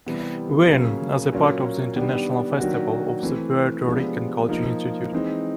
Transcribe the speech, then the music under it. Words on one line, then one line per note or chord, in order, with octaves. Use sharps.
Warren, as part of the International Festival of the Puerto Rican Culture Institute.
C3 E3 G3 B3
C#3 F#3 A#3 C#4
A#2 F#3 A#3 C#4
D#3 G3 B3 D4 G4
D#3 F#3 A#3 D4 F#4
E3 A3 C4
C3 F3 G#3 B3 D4
F3 A#3 D#4
E3 G#3 C4 D#4